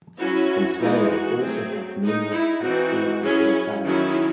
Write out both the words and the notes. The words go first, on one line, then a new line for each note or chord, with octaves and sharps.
Consuelo also had numerous extramarital affairs.
F#3 C#4 E4 F#4
E3 G#3 D#4 E4
F#4
F#3 A3 C4 G#4
G#3 D#4
E4
E3 C4 D#4 F#4
F#3 C#4 E4 G#4
D#3 F#3 C#4 E4 G#4